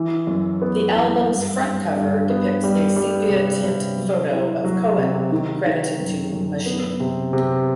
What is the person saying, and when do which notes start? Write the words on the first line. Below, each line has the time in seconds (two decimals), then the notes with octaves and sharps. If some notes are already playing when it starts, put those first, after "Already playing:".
The album's front cover depicts a sepia tint photo of Cohen credited to Machine.
Already playing: E3
0.27 F#2
0.62 B3
0.95 E3
1.28 G2
1.63 G2
1.96 G2
2.30 B3
2.64 G3
2.96 G3
3.30 C3
3.64 C3
3.97 F#3
4.31 E4
4.65 F#3
4.98 C3
5.32 D#3
5.66 D#3
5.99 F#2
6.33 F#2
6.66 B3
7.00 C3
7.33 C3